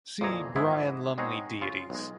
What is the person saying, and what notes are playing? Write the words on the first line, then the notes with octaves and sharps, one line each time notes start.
See Brian Lumley deities.
F2 A#2 D3 E3 G#4 A#5
G#2 E3 G#3 B3 E4 G#4
B2 G#3 C4 D#4 G#4 C#5
C#3 F4
B1 G#3